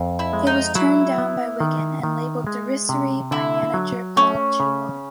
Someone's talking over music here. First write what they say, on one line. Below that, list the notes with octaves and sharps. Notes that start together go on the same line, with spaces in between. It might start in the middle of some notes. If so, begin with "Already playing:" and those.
It was turned down by Wigan and labelled "derisory" by manager Paul Jewell.
Already playing: F2
E4
G#3
D#4
F#3 E4
B3
D#3
D#3
G#3
C3
D3 E4
F#3
A3 C#4
C#3